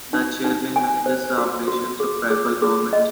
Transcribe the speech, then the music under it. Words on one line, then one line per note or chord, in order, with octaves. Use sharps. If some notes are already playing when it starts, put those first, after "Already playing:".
The chairman manages the operations of tribal government.
D#4
D#4
G#5
C5
F#4
F#4
G#4
G#4
G#4
D#5